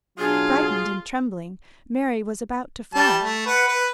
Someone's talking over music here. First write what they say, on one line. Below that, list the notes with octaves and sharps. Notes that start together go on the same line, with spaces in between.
Frightened and trembling, Mary was about to fly.
C#2 B2 F#3 D4 F4 G#4
G3 A5
A3
B4 F#5
B4